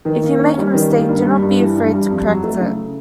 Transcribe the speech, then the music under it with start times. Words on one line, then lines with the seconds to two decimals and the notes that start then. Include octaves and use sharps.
If you make a mistake, do not be afraid to correct it.
0.05 D#3
0.23 A#3
0.39 C#4
0.57 G3
0.74 D#3
0.91 A#3
1.08 G2
1.25 G3
1.42 G2
1.59 E3
1.76 G2
1.94 G3
2.10 F2
2.28 F#3
2.44 A3
2.60 C#3